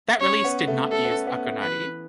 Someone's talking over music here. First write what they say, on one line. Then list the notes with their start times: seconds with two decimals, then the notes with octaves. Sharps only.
That release did not use Akonadi.
0.20 C#4 C#5
0.44 B3
0.67 A3
0.91 A3 A4
1.04 B3
1.09 C#4
1.27 B3
1.45 A3
1.62 E3 B4